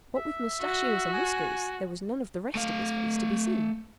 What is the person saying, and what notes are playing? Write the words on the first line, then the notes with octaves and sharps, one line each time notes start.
What with mustachios and whiskers, there was none of the rest of his face to be seen.
E5
F#4
G#5
A3 F5